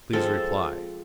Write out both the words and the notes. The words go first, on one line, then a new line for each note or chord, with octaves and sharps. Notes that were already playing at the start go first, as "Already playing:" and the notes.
Please reply.
F3 G#3 C4 A4